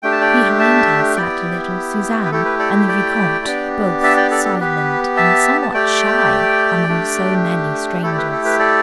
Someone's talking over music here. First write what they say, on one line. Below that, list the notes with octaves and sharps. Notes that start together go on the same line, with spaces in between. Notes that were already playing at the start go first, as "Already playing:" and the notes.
Behind her sat little Suzanne and the Vicomte, both silent and somewhat shy among so many strangers.
A3 D4 G4 G5
A5
D5 G5
E5 A5
B3 E4 G4 D5 G5
B4
A3 E4 G4 A4
B4
A4 D5
D5 G5
B3 D4 G4
E5 A5
D5 G5
A4 D5
A4
B3 G4 B4
E5 A5
A5
A3 G4 D5 G5
A3 D4 G4
A3 E4 G4 A4
D5
B4
A4
B4
A4 D5